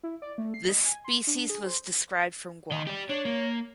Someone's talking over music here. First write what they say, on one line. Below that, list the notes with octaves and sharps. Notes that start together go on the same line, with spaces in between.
This species was described from Guam.
E4
D5
A3
C7
D#5
G#5
C6
D4
G#4
C5
D#3 D#5
G4 D5
D4 C#5
A#3